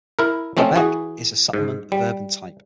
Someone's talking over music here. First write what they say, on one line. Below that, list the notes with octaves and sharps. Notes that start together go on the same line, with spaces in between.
Babek is a settlement of urban type.
E4 A#4
F3 A3 C4 C#4
E3 F#4 G#4
G#2
G3